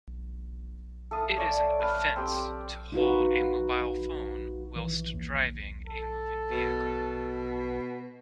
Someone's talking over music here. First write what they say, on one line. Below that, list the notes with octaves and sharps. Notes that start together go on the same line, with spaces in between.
It is an offence to hold a mobile phone whilst driving a moving vehicle.
A4 E5 F5 D#6
C#5 D5 E5 A5
B4 F5 A5
C4 G4
D#4 F4 F#4 B4
E3
D#2
A4
B2